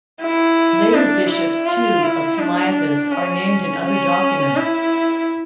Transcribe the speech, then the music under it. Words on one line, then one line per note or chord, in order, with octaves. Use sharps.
Later bishops too of Tamiathis are named in other documents.
E4
D4
E4
F4
E4
D4
C#4
C#4
E4